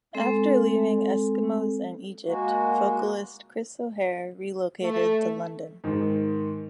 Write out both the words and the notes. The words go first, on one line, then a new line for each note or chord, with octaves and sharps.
After leaving Eskimos and Egypt, vocalist Chris O'Hare relocated to London.
G#3 C4 A4
G#3 A#3 F#4
A3
G#2 D#3